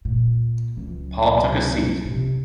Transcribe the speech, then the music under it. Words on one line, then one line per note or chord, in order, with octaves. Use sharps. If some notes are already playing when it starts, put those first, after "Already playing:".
Paul took a seat.
A#2
C#2 F#3
C3